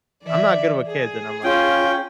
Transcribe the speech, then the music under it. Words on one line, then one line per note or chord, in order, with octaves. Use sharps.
I'm not good with kids," and I'm like
E3 D5 E5
G#4
C#4 F4 G5